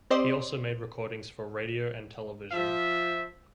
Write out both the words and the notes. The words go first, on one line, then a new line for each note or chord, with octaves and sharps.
He also made recordings for radio and television.
C4 G4 C5 D5 D#5 C6
F3 E5